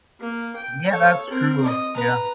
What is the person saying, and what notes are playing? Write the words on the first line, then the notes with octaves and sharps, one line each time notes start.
Yeah, that's true. Yeah.
A#3
G5
A4 C#5
C4 A#4
D#5
B4 A#5